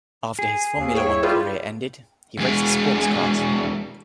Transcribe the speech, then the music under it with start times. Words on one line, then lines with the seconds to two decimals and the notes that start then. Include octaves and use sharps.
After his Formula One career ended, he raced sportscars.
0.39 G#4
0.77 D#2
0.95 G#4 C#5 G5
1.06 E4
1.23 G3 F4 G#4 B4
2.39 E2 G#3